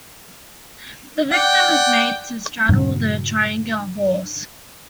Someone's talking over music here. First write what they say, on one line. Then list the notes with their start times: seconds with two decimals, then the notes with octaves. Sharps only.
The victim is made to straddle the triangular horse.
1.31 D5 F#5 G5
2.69 G2 A#2 C#3 F#3